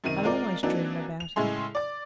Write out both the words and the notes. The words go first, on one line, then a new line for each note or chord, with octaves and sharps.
I always dream about him.
F#2 C3 D#3 D#7
G#3 C4 F4 A#4 D5
E3 F#3 A#3 C4 D4 D#4
F7
A2 C#3 G#3 E4 G#4 C6
D5 D6